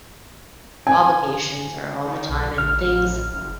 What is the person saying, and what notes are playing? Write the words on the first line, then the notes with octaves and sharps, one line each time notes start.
Obligations are all the time, and things
G#5
D#3
B1
A1 F6
F#1